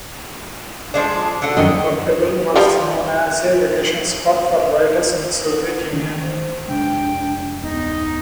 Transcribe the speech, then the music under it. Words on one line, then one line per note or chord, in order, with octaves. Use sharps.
Koktebel was known as a vacation spot for writers in the Soviet Union.
F3 G#3 D4
D3 F#4
F#2 D#3 D#5
F3 G3 F4
D#3 E3 A3
C5
F1 G#3 D4 G5
D1 B3 D#4